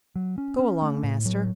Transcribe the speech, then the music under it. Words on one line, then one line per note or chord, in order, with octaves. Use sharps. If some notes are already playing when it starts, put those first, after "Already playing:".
'Go along, master!
F#3
C#4
C#4
A3
A2
F#3